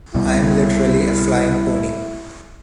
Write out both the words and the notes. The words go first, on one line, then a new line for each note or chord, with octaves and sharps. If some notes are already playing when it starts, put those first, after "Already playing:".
I am literally a flying pony.
C2 B2 G3 E4